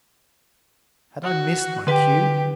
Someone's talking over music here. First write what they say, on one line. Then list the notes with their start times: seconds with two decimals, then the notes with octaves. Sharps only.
Had I missed my cue?
1.23 F#4
1.87 D3 G4 B4 B6